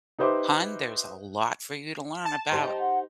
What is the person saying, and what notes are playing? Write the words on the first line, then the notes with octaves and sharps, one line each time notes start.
hon, there's a lot for you to learn about
D#4 G4 B4 C5 E5 D6
A5
D#4 G4 C5
F#5